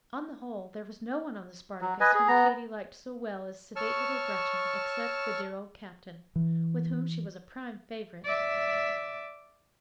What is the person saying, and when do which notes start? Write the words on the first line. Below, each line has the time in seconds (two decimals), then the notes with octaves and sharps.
On the whole, there was no one on the "Spartacus" whom Katy liked so well as sedate little Gretchen except the dear old Captain, with whom she was a prime favorite.
1.81 F#3
2.00 B4 D#5 G#5
2.15 G#4
2.28 B3 A#5
3.76 C#5 A5 C#6 E6 F6
6.36 E3
8.25 D5 E5